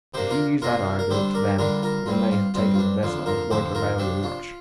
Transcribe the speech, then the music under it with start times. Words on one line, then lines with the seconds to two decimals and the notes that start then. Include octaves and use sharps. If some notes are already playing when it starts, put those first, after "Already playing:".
But if you use that argument to them when they have taken the vessel, it won't avail you much.
0.14 C3 A#3 D4 G4 C5
0.30 F4 A#4
0.62 C3 A#3 D4 F4 A#4
0.99 A#4
1.10 D3 G3 D4 G4 C5
1.34 A#4 D5
1.58 D3 G3 D4 F4 A#4
1.82 F4 A#4
2.06 G2 G3 C4 F4
2.31 F4
2.54 G2 G3 C4 F4
2.74 F4
2.79 D4
3.03 F2 D3 F3 F4
3.26 F4 A#4
3.50 F2 D3 F3 G4 C5
3.75 F4 A#4
3.98 C3 F3 D4 G4
4.23 F4